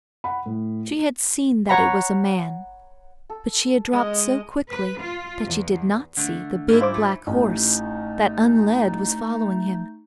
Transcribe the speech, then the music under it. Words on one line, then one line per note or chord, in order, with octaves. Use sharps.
She had seen that it was a man, but she had dropped so quickly that she did not see the big, black horse that, unled, was following him.
F#5 B5
A2
C#5 F#5 A#5 B5
A4
G#3 D#5
B4
F4
E2
D3 A3
G#2 E4 F6
F4 C5 D6
A3
A1 A3 D#4